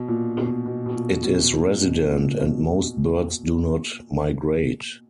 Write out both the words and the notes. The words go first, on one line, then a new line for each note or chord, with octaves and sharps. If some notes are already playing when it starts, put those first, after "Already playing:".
It is resident, and most birds do not migrate.
Already playing: B2
A#2
B2
B2
B2
A#2
B2
A#2
B2
A#2
B2